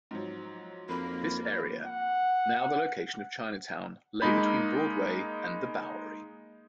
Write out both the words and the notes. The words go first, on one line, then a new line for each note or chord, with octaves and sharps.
This area, now the location of Chinatown, lay between Broadway and the Bowery.
G#2 F3 F#3
F2 A#3 B5
F#5
G#3 A#3 D#4 B5